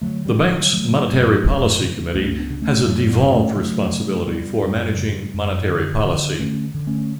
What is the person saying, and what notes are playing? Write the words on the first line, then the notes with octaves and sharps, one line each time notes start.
The Bank's Monetary Policy Committee has a devolved responsibility for managing monetary policy.
D3 F#3 A3
E3 G3
D3
D3 F#3
D3 F#3 A3
F#2
C#3
C#3
C#2 A3 C#4
B3 D4
C#3
A3 C#4
F#2 F#3 A3
G3 B3
C#3
A3 C#4
C#3 F#3 A3
C#3
C#3 G3 B3
F#2
C#3
F#2
D3
D3
D3 A3 C#4
D3
A3 C#4